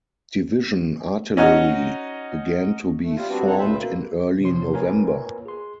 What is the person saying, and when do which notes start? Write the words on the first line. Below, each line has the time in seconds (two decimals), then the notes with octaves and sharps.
Division artillery began to be formed in early November.
1.37 C#4 D#4 F#4 D#5
3.02 A3
3.16 G3 F4
3.28 G3 B3 C4 D4 F#4
3.45 F#3 C4 D#4 A4 C#5 F#5
3.58 D2 A#2 C#3 B4 C5 E5
3.76 B2 A#3
4.41 C3 F3 C#5 C6
4.73 A#3 F4 A#4 B4 C#5 G#5
5.46 G#4 C6